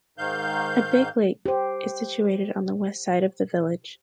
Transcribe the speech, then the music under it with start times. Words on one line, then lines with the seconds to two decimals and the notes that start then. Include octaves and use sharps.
A big lake is situated on the west side of the village.
0.18 G#2 D#3 F5 G6
1.46 G4 C5